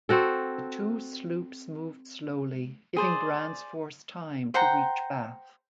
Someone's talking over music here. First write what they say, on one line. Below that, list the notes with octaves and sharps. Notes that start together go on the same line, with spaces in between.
The two sloops moved slowly, giving Brand's force time to reach Bath.
C4 F#4 A4
G#4 C5 D5
C5 F#5 G5 A#5